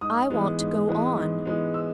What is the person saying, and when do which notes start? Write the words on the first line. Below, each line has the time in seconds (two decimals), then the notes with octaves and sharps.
"I want to go on."
0.01 G#2 D#6
0.30 E3 G#3 B3
0.59 G#2
0.89 E3 G#3 B3
1.18 G#2
1.45 E3 G#3 B3
1.74 E6